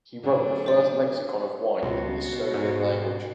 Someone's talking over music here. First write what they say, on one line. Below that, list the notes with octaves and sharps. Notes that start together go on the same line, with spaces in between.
He wrote the first lexicon of wine in Estonian language.
A2 D3 F#3 D4
C5 D5
C#2 B2
G#2